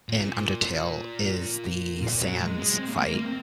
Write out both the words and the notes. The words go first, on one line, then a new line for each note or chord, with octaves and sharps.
in Undertale, is the sands fight
A#2
A#2
F#3
G#3
G#3
C4
A#3
G#3
A#3
A#3
C4